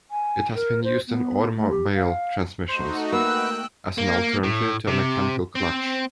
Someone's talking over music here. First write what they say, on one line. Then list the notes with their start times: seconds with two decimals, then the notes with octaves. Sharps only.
It has been used in automobile transmissions as an alternative to a mechanical clutch.
0.11 G#5
0.55 A#4
0.84 C5
1.08 B3
1.57 A3
1.71 G4
1.95 F5
2.68 A3 D#4 F#4 C5
3.12 A#3 F#4 B4 G5 E6 F#6
3.98 A#3
4.44 A2
4.87 C3
5.55 C4